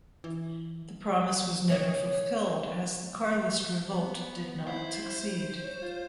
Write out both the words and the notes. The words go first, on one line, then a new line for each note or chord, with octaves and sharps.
The promise was never fulfilled, as the Carlist revolt did not succeed.
E3
C#5 D#5
B3
E4 C5
C#5
F4